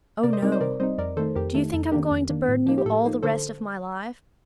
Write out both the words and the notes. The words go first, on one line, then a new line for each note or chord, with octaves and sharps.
'Oh no! Do you think I'm going to burden you all the rest of my life?
C3 A#4 D5
C5 D#5
G3 C4 D#4 A#4 D5
C5 D#5
C3 A#4 D5
G3 C4 D#4 C5 D#5
F2 A#4 D5
D#3 A3 D#4 A4 C5
F2 G4 A#4
D#3 A3 D#4 A4
F2 A4
D#3 A#3 D4 G4 A#4
F2
D#3 A#3 D4
A2
F3 A#3 D#4
G4
A2 A4
F3 A#3 D#4
D3 A4 C5